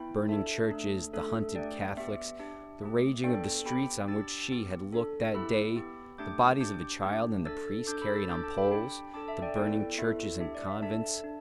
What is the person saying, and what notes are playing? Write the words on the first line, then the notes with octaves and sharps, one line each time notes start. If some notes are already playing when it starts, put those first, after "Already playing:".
The burning churches, the hunted Catholics, the raging of the streets on which she had looked that day, the bodies of the child and the priest carried on poles, the burning churches and convents. ...
Already playing: B3 E4 G5 B5
D4 A4 E5 A5
A3 D4 A4
A3 D4 A4
A3 D4 G4 D5 G5
B3 G4 E5
D4 G4
A3 G4
B3 D4 A4 D5 G5
B3 G4 G5 B5
D4 G4 E6 A6
B3 G4
D4 A4
B3 E4 G4 B5 E6
B3 G4
A3 D4 G4 D6 G6
D4 G4 D6 G6
A3 D4 G4
D4 A4 E6 A6
D4 A4 D6 G6
B5 E6
E6 A6
D4 A4 D6 G6
A5 D6
G5 B5
D4 G4 G5 B5
D4 A4 A5 D6
E5 A5
D5 G5
B3 E4 A4 D5 G5
B3 E4 A4 E5
D4 G4 E5
D5
E5
D4 A4 E5 A5
D4